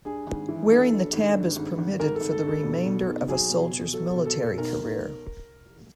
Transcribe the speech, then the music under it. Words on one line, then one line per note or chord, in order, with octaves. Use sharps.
Wearing the tab is permitted for the remainder of a soldier's military career.
G2 G#4
G#1
E3
G2 A4
G2
G#1
G2
G#1
G#1
G#1 A#4
A4
G#1
A4
G2
A4
B2
B2
B1
F#3 G#4
B2
B2
F#3 A4
A4
B2
A4
B2
A4
B1 A#4
B1